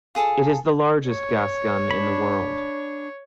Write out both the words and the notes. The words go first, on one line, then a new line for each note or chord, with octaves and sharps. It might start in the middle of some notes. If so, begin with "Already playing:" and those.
It is the largest gas gun in the world.
F4 G#4 A4 A5
C#5
D4 B5